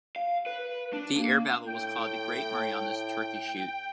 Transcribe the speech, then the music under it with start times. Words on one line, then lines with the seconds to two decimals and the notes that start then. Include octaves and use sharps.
The air battle was called the "Great Marianas Turkey Shoot".
0.16 F5
0.46 B4
0.93 D4
1.16 A#3
1.66 A2 G5